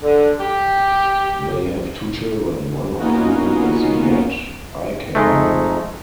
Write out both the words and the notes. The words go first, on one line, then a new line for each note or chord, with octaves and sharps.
They have two children, one of whom is Brett Icahn.
D3
G4
A#3 B3 C#4 D#4 F4 F#4
F2 F3 G#3 A3 D#4